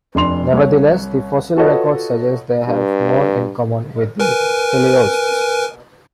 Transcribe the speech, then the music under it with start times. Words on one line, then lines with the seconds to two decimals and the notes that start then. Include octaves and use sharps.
Nevertheless, the fossil record suggests they have more in common with the teleosts.
0.15 F1 D4 C6 F7
0.53 C2 C#5
1.57 F4 F#4 A4 B4 C#5 D#5
2.68 G2
4.20 A#4 B4 G#5